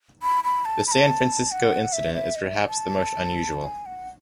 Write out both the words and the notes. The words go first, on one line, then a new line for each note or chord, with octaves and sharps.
The San Francisco incident is perhaps the most unusual.
B5
B5
A5
B5
A5
F#5
E5
E5
D#5
E5
G#5
A5
G#5
F#5